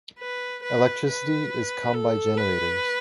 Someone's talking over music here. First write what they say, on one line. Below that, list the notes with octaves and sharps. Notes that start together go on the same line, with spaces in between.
Electricity is come by generators.
B4
B4
B4
A4
B4